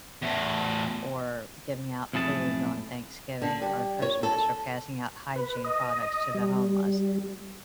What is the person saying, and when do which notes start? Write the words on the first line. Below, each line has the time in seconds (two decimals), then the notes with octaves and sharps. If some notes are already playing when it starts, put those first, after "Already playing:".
or giving out food on Thanksgiving or Christmas, or passing out hygiene products to the homeless.
0.22 E2 A2
2.13 B1 F2 A2 G#4 A5
3.42 D3
3.62 G3
4.02 C#5
4.23 A4
5.36 B4
5.64 D#5
6.35 G3